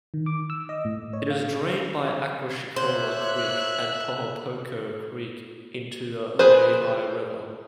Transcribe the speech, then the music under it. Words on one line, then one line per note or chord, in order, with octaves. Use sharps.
It is drained by Aquashicola Creek and Pohopoco Creek into the Lehigh River.
D#3
D6
E6
D#5
A2
C#5
F5
A#3 C5 C#5 E5 F#6
G#4 B4 C5